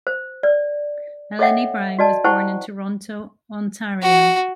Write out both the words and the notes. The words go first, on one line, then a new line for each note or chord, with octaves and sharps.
Melleny Brown was born in Toronto, Ontario.
C5
D5
A4 C#5 D#5 E5 F#5 G5
F#4 D5 D#5 A5
E4 C5 F#5 G5 A5 C#6
F#4